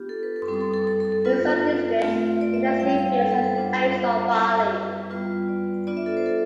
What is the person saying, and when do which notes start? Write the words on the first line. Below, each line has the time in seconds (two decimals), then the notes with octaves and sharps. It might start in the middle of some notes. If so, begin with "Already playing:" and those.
In some districts they nest in fields of oats or barley.
Already playing: B3 D4 F4 G4
0.09 A4
0.23 B4
0.36 A4
0.48 G3 C4 E4 A4
0.61 A4
0.74 A4
0.87 A4
1.00 A4
1.12 A4
1.25 B3 F4 B4
2.02 A3 C4 F4
2.41 D5
2.54 E5
2.67 F5
2.79 G3 C4 E4 G5
2.90 G5
2.98 F5
3.08 G5
3.18 A4
3.31 B4
3.44 C5
3.56 G3 B3 D4 F4 C5
3.94 D5
4.33 G3 C4 E4
4.71 B4
5.10 G3 B3 F4 B4
5.48 D5
5.87 B3 D4 F4 D5
5.97 E5
6.06 A4
6.17 C5
6.26 A4